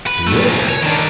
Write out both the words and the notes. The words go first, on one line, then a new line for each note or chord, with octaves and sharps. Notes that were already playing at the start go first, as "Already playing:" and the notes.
Do it?
B4
E2 A3
A#2 F3
C2
C#5
D#3 D4